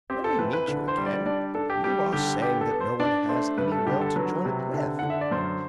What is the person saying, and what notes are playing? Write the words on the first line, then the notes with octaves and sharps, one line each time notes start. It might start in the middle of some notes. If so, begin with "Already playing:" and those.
When we meet you again you are saying that no one has any will to join it with.
C4 G4
A4
E3 B4
B4
D3 B4
C5
G3
D5
D4 D5
D4 A4
G4
G3 G4
D3 G4
B3 G4
A4
B3
C5
D4 D5
A3 C5
G2 B4
A4
D3 G4
A4
F#3 B4
C3
D3
D3 F#5
E5
D5
F#2 C5